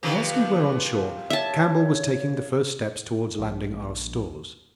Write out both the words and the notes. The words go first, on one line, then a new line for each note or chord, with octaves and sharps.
Whilst we were on shore Campbell was taking the first steps towards landing our stores.
C3 D#3 F3 B4
C#5 E5 A5
A#1